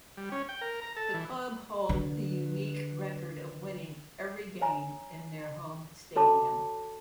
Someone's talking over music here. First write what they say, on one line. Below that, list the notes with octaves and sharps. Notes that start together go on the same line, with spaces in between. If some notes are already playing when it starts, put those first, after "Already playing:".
The club hold the unique record of winning every game in their home stadium.
G3
C#4
G5
A#4
A#5
A4
E3
D3 B4
C#5 G#5 A#5
F#4 A4 C#5 A5 D6